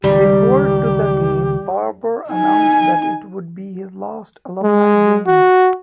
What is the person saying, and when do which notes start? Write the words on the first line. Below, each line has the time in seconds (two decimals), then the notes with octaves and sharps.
Before to the game Barber announced that it would be his last alumni game.
0.04 C#2 D#3 G3 G4
2.30 D#4 G#5
4.64 G#3
5.27 F#4